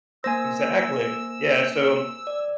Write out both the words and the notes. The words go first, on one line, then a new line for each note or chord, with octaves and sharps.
Exactly. Yeah, so
A#3 C5 G#5 E6 A#6
D5